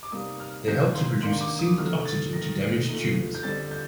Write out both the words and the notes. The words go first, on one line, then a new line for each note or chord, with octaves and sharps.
They help to produce singlet oxygen to damage tumours.
D6
C3 G3 A#3 D#4 D#6
F6
C3 D#3 A#3 D#4 G6
C6
D#3 A#3 D4 C6
D6
D#6
D3 A3 C4 D#4 F6
A6
D#3 A3 D#4 A#6
A#2 A3 D#4
G6
F2 D3 G3 C4 A6
G6